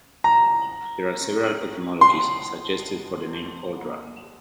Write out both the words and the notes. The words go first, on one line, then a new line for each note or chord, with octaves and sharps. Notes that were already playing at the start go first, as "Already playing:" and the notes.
There are several etymologies suggested for the name "Odra".
A#5
C6